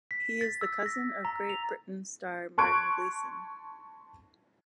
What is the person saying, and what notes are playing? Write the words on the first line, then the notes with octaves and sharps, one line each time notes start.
He is the cousin of Great Britain star Martin Gleeson.
B6
A6
E6
A#6
A#5
F7
A5 C6 C#6 F#6 G#6 D7